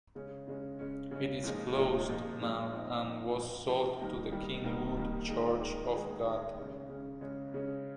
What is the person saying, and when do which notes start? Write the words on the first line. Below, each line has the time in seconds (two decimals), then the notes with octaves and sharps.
It is closed now, and was sold to the Kingwood Church of God.
0.15 C#3 G#3 C#4
0.48 C#3 G#3 C#4
0.79 C#3 G#3 C#4
1.11 C#3 G#3 C#4
1.44 A#2 F3 G#3 D#4
1.76 A#2 F3 G#3 D#4
2.09 A#2 F3 G#3 D#4
2.41 A#2 F3 G#3 D#4
2.72 F3 C4 D#4
3.04 F3 C4 D#4
3.36 F3 C4 D#4
3.69 F3 C4 D#4
4.00 D#3 G3 A#3 D#4
4.32 D#3 G3 A#3 D#4
4.64 D#3 G3 A#3 D#4
4.97 D#3 G3 A#3 D#4
5.28 D#3 G#3 D#4
5.61 D#3 G#3 D#4
5.93 D#3 G#3 D#4
6.25 D#3 G#3 D#4
6.58 C#3 G#3 C#4
6.89 C#3 G#3 C#4
7.21 C#3 G#3 C#4
7.54 C#3 G#3 C#4